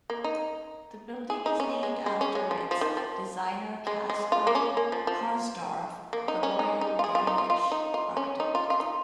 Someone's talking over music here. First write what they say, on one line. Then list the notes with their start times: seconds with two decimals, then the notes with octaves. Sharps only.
The building is named after its designer Caspar Harsdorff, a royal Danish architect.
0.10 A#3
0.24 D#4
1.30 G#4
1.46 D#4
1.60 C#4
1.83 G#3
2.06 G#3
2.21 C#4
2.35 G#3
2.51 F3
2.71 F3
2.81 D#3
2.97 F3
3.87 G#3
4.10 G#3
4.32 F4
4.47 A#3
4.55 C#4
4.77 A#3
4.92 F3
5.07 F3
6.13 A#3
6.28 D#4
6.43 C#4
6.59 D#4
6.81 D#4
6.99 F4
7.04 G#4
7.15 F4
7.27 D#4
7.38 F4
7.50 F4
7.72 D#4
7.94 F4
8.17 C#4
8.40 D#4
8.55 F4
8.70 F4
8.80 D#4